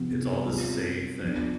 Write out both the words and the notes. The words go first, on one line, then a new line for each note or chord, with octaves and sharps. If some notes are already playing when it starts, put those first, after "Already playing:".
It's all the same thing.
Already playing: C3 F3 B3
G3 C4 F4
F3 B3 D4